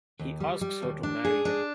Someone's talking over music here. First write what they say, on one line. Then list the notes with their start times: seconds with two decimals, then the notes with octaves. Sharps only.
He asks her to marry him.
0.19 D#2
0.40 G3
0.61 G3
0.82 D#2
1.03 D4
1.24 G#4
1.45 D4